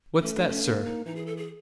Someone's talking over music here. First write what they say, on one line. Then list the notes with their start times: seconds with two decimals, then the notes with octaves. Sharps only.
"What's that, sir?"
0.22 A3 C#4
0.36 D4
0.49 C#4
0.64 A#3 D4
0.84 D#4
1.05 E3 D#4
1.16 G#4
1.26 A4
1.37 G#4